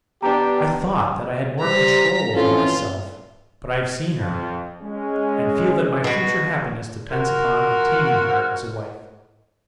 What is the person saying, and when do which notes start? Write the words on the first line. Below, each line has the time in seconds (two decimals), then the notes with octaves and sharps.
I thought that I had more control over myself; but I have seen her, and feel that my future happiness depends upon obtaining her as a wife.
0.23 B3 D4 G4 A#5
1.60 G3 C5 A#5 B6
2.32 F2 E3 C#4 F4 A4
4.18 F2
4.82 G#3 C#4
6.04 B2 F#4
7.10 F4 F#4 A#4